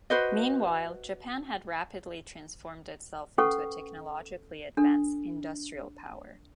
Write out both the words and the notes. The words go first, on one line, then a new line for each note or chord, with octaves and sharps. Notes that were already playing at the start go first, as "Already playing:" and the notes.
Meanwhile, Japan had rapidly transformed itself into a technologically advanced industrial power.
F#4 B4 C5 D#5
C#4 A4 B4 F#5 C#6
D4 A4